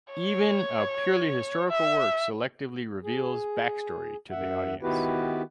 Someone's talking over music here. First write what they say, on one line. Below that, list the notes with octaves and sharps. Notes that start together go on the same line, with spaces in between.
Even a purely historical work selectively reveals backstory to the audience.
C#5
E5
G#4
F#2 E5 F#5
D#3 B3 E4 F#4 G4 B4